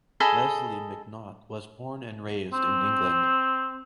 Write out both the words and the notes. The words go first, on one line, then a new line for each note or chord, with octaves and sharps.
Lesley McNaught was born and raised in England.
G#4 A4 D#5 B5
C4